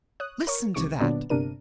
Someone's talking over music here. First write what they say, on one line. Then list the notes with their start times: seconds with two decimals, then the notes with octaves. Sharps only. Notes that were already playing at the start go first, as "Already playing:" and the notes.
Listen to that!
0.20 C#5 D#6 F#6
0.47 A#4 C#5 C#6
0.74 C2 C3 D#3 C#6 D6
1.00 A#2 D3 F#3 B3 D4 D5
1.29 G1 C3 D4 A#4 D#7